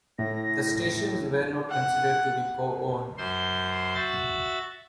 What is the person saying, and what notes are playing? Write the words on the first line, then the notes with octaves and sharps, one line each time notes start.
The stations were not considered to be co-owned.
A2 A#6
F#5
F#2 C5 C6
F#4 E5 A6